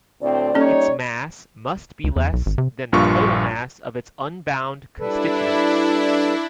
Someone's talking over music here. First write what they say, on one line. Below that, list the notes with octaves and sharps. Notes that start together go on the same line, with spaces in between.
Its mass must be less than the total mass of its unbound constituents.
D2 A2 C4 D5
G3 A#3 C#4 D#4 A4 C#5
C#2
E2
B1
G#1
C3
A#1 G2 A#2 F4 C#6
G3 D4 E4 A4 B4